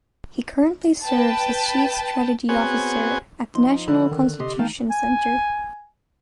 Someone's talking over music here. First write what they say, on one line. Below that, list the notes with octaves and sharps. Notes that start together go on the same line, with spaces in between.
He currently serves as Chief Strategy Officer at the National Constitution Center.
B4 G5 A5
B3 C4 F#4 G#4 C#5 G#5
F3 D#4 C6
D3 G#3 B5
D#3
C3 G4 D#5 C6
D#3 E3 A3 D#4 F5 G5 A5
G#5